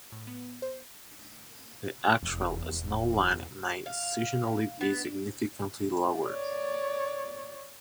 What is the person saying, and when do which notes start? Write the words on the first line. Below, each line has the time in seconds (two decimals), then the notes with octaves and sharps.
The actual snow line may seasonally be significantly lower.
0.12 A2
0.27 B3
0.62 C5
2.23 F1 E2
2.72 E1 E2
3.86 F5
4.81 B3
6.22 C#5 D5